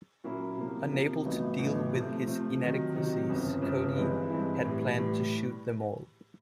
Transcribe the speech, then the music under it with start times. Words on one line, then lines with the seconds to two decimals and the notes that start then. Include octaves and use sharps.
Unable to deal with his inadequacies, Cody had planned to shoot them all.
0.24 A#2 F#3 A#3 C#4 E4
0.58 C3 F3 A#3
0.91 C3 F3 A#3
1.25 A1 A2 F#3 B3 D#4
1.59 A1 A2 F#3 B3 D#4
1.93 C3 F3 A3 C4
2.26 C3 F3 A3 C4
2.60 C3 D#3 F#3
2.94 C3 D#3 F#3
3.28 G1 F2 C#3 F3
3.62 G1 F2 C#3 F3
3.95 G2 E3 G#3 C4 E4
4.30 G2 E3 G#3 C4 E4
4.64 A2 E3 G3
4.97 A2 E3 G3